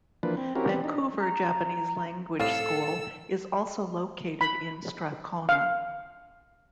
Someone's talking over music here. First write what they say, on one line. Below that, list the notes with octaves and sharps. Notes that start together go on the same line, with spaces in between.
Vancouver Japanese Language School is also located in Strathcona.
E3 F3 A#3 D4 B4
C4
C4 C#4 E4 F#4 G4 A#4
E3 G3 B3 C4
D4 D#4
A#5
C2 A2 A4 F5 A5 E6
B5
F5